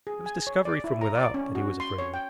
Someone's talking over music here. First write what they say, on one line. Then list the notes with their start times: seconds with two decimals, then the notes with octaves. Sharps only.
It was discovery from without that he was afraid of.
0.07 G#4
0.26 G#5
0.47 C#5
0.65 D5
0.84 E4
1.01 A#5
1.15 D5
1.34 C#4
1.55 F#4
1.80 C6
1.99 C#5
2.14 G5